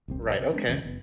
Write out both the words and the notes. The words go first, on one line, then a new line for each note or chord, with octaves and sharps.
Right, okay.
D#1 C2 C4
A#1 G2
C3
G#3 C4 D4
F#1 C#2 E3 C#4
F#1 B3